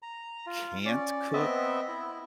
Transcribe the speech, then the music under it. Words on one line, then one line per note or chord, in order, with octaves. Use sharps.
can't cook
A#5
F4
C#4 D5
B3 C4 D#5 E5
E4